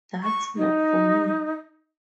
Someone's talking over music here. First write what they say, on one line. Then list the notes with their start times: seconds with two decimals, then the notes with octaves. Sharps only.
That's not for me.
0.23 C#6
0.56 D#4